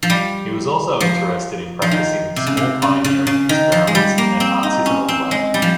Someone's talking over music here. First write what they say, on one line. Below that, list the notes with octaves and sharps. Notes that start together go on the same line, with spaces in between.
He was also interested in practicing small pioneering experiments in an artisanal way.
F3
G3
F3
F3
D#3
C3
C#3
C3
C#3
C#3
C#3
D#3
F3
G#3
G3
A#3
C4
D#4
C#4
C4
G#3
G3
F3